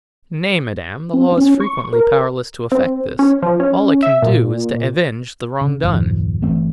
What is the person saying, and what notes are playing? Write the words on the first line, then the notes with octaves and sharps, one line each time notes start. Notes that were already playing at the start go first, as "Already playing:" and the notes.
"Nay, madame, the law is frequently powerless to effect this; all it can do is to avenge the wrong done."
C4
C#4
C#6
A#4
C4
C#4
F3
C#4
E5
A#2
C#3
F#1 D#2 A2 F3
G1 E3 A3 C4